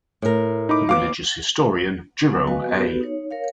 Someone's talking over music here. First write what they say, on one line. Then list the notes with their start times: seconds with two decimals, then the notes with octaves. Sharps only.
Religious historian Jerome A.
0.22 A2 A#4
0.69 D#4 B5 D6
0.89 D#2 B3 F5 D6
2.29 F#3 B3 F#5 G#5
2.47 F#4 B4 D#5 F5 G#5
2.67 B3 F#4 G4 A4 B4
3.01 D#4 C#5
3.31 A#4 C#5 F5